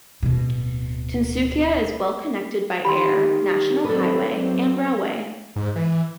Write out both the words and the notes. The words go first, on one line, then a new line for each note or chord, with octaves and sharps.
Tinsukia is well connected by air, national highway and railway.
D1 B2
D#3 G4 B5 C6
F#3 C4 A4 B4 D5
G#2
E3